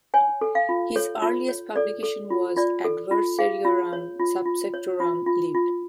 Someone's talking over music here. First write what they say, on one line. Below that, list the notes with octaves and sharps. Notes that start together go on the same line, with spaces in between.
His earliest publication was Adversariorum subsectorum lib.
C#5 G#5
A4
F5
F4
A4 C#5
F4
C#5
A4 D5
A4
F4
F4 D5
A4
F4
G#4 F5
F4
C#5
F4
F4
C#5
F4
F4
F4